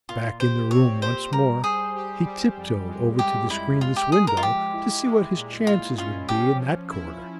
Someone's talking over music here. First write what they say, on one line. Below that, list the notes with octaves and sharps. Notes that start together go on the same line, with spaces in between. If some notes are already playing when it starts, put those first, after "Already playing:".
Back in the room once more, he tiptoed over to the screenless window to see what his chances would be in that quarter.
A#2 F4
G4 C5
C4 C#5
G4 C5
G3 A#4
G#4 C5
G4
G3
F2
G#3
G#3 G4
G#3 E4
G#3 F4
G4
G#3 G#4
A#4
F4
F3 G4
E4
G#3
A#2
A#2 F4
C#4 F4
F3 G4
F3
E4